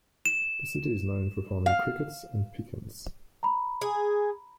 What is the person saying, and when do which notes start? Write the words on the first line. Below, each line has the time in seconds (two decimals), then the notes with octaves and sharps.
The city is known for farming crickets and pecans.
0.26 E7
1.66 F5
3.43 A#5 B5
3.81 G#4